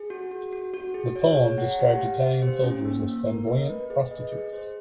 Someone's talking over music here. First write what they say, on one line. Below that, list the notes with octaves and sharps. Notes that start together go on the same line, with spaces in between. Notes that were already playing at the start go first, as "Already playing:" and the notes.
The poem described Italian soldiers as flamboyant prostitutes.
Already playing: G#4
F#4
F#4
F#4
F#4
G#4
C#5
C#5
F#5
G4
F5
G4
C5
C#4
A#3
A#3
A#4
D#5
B4
G#4
D#5
G#4
C5